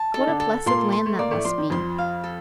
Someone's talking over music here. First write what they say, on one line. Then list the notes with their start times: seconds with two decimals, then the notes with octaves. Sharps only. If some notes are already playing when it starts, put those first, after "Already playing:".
What a blessed land that must be!
Already playing: A5
0.14 D#4 A4
0.27 D3 D4
0.40 A4
0.66 A#2 A#3 C6
0.92 C6
1.06 A3
1.19 A#3 D5
1.31 A2 A3
1.45 F3 C6
1.58 D#3
1.70 F2 F3 C6
1.98 F5
2.24 A4